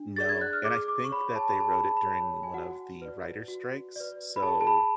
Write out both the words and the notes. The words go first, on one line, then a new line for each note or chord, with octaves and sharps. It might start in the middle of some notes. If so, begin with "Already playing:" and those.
No, and I think that they wrote it during one of the writer strikes, so,
Already playing: D4
G#4 D5 A6
G#6
F#6
F6
G#4 D6
D6
C#6
C#5 B5
A5
B5
G#4 A5
B5
A5
B5
C#5 A5
G#5
F#4 F#5
B4 D5
F#4
B4 D5
B5
G#4 A5
A5
B5